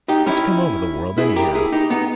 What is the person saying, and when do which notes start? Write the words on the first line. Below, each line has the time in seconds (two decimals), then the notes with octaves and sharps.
What's come over the world anyhow?
0.08 D#4 G4
0.26 C#4 E4
1.18 E4 G#4
1.36 G4 A#4
1.55 E4 G#4
1.72 D#4 G4
1.90 B3 D#4